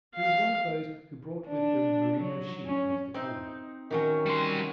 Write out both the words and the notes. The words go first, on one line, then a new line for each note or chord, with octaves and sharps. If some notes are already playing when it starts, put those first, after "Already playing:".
He was one of those who brought with them merino sheep into the colony.
F5
D4
F#3
C#4
C4 D#4
D#3 F#3 C#4
F#3 G3 C6